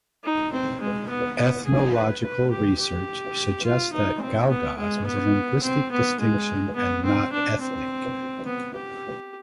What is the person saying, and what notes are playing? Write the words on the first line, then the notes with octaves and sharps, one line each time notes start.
Ethnological research suggest that "Gagauz" was a linguistic distinction and not ethnic.
D#4
C4
G#3
B3
B3
G#4
B4
B4
G4
G4
F4
D#4
C4
B3
G#3
B3
C4
B3
G#3
B3
C4
D4
C4
B3
G4